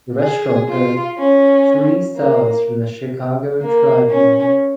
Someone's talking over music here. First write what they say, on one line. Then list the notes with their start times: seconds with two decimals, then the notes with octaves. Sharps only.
The restaurant earned three stars from the Chicago Tribune.
0.20 G#4
0.69 F4
1.18 C#4
2.15 A#3
3.61 A#3
4.10 C#4